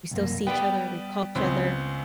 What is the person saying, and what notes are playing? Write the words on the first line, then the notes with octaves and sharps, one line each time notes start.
We still see each other, we call each other,
C2 F#2 A#3
G3 B3 D5 G5
C#2 B3 C4